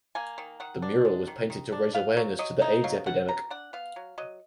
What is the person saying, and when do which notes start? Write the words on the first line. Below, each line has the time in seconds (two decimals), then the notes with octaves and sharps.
The mural was painted to raise awareness to the Aids epidemic.
0.15 A#3 G#5
0.38 D#3
0.60 D#3 F#5
0.82 D4
1.05 G#3
1.28 D#3
1.50 D#3
1.72 D4
1.94 B3 F5
2.17 F#3
2.39 F#3 D#5
2.62 D#4
2.84 F#3 F5
3.06 B2 F#5
3.28 B2 A#5
3.50 D4 F#5
3.73 B3 F5
3.96 F#3
4.18 F#3 D#5